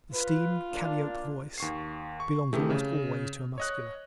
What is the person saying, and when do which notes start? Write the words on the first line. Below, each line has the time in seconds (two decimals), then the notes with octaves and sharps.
The "steam-calliope voice" belongs almost always to a Muscular.
0.13 F4 B4
0.71 A#3 D4
1.58 D#2 C#6 C7
2.20 C#6
2.53 C3 E3 A3 G4 G#4
2.70 C#3
3.58 C#5 D#5 F#6